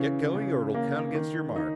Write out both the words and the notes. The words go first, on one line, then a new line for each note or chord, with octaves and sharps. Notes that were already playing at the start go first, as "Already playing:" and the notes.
"Get going or it'll count against your mark!"
Already playing: C#3 E3
C#3
A#3
D#3
D#4